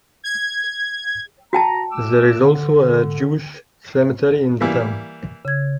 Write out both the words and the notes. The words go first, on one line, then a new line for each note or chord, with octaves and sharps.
There is also a Jewish cemetery in the town.
G#6
F#4 G5 A5 A#5
A3 D6 E6
D3
E3 G3 A#3
C#3 G#6